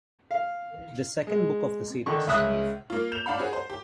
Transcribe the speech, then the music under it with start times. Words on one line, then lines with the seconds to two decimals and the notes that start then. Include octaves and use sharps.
The second book of the series.
0.31 F5
1.27 G#3
2.06 D3 D#3 C#6
2.27 C#2 C#3 G#3 E5 D#6 F#6
2.90 A#3 F4
3.12 G6 E7 F7
3.26 D4 F5 F#5 B5
3.38 C4 F#4 G#4
3.53 C5
3.70 G4